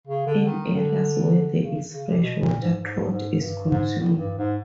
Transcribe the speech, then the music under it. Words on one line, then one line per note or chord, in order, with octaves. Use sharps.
In areas where there is fresh water trout is consumed.
C#3
D3
D#3
D3
C#3
C#3
C3
B2
A#2
G#2
G#2
G#2
G2
G#2
A2
G2
G#2